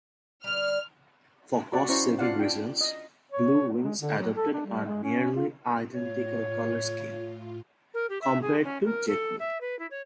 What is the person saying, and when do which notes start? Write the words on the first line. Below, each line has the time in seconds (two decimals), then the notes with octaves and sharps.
For cost-saving reasons, Blue Wings adopted a nearly identical color scheme compared to JetBlue.
0.44 D3 G3 F6
1.73 F#4 D5 F#5
1.89 C#4 E4 C5 D5 A#5 C#6
2.19 D4 F4 D5 F5 F#5
2.39 D4 G5
2.81 D#5
3.32 C#5
3.84 G#3
4.00 D3
4.18 F#3
4.35 A4
4.53 D4
4.65 G3
4.85 G#3
5.03 C#4
5.36 F4
5.94 A2 F4 C#5
7.93 A#4
8.09 G4
8.21 E5
8.41 G#4
8.63 C#4
8.85 A#4
9.07 A4
9.39 E5
9.60 B4
9.79 E4
9.90 C#5